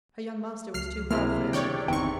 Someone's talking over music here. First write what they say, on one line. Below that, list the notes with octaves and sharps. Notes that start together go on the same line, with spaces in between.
Her young master was too hard for every body.
C#2 F#3 F6 C7
C3 A#3 C4 E4 G#4 F6
D#3 D4 C#5 D5 G5
G1 E2 C4 D#4 G5 C#6